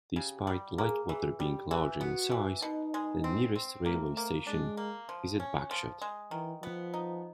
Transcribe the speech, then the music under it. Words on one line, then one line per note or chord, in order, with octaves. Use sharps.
Despite Lightwater being larger in size, the nearest railway station is at Bagshot.
C#3 G4
G3
A#3 G#4
E3 G#4
G3 G4
E3
B3 F#4
E3
B2 D#4
G#3
C4
C4
A3 A#3
A#3
G#3 D4
A#3
F3
C#4
F3
G#3
D#3 E3
F3 B3
D#4